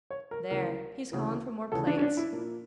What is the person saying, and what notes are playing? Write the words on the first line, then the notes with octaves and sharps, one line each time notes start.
There, he's calling for more plates.
C#5
A#4
D2 C#3 E3 A#4
D2 C#3 E3
D2 C#3 E3 A4
D4
C#4
D4
E4
A#2 F3 A#3